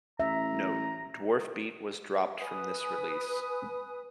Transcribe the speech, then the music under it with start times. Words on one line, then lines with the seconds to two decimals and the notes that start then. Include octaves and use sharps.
Note: "Dwarfbeat" was dropped from this release.
0.20 A1 E5 A#5
2.38 B4 G#5 D#6